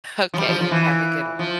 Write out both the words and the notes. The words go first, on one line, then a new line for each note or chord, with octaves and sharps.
Okay, h have a good one.
F3
G3
F3
F3
E3
F3